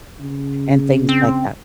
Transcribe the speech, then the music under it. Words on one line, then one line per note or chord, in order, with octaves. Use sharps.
and things like that.
C#3
C4